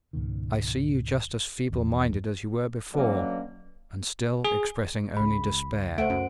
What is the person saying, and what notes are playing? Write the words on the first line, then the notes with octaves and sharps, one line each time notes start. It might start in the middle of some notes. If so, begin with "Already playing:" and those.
"I see you just as feeble-minded as you were before, and still expressing only despair!"
C#2 G#2 B2 D#3
G#1 E2
B2 D3 F#3 A#3 C#4
G#4
C#2 G#3 B5
A3 C5 F#5 D7
F#2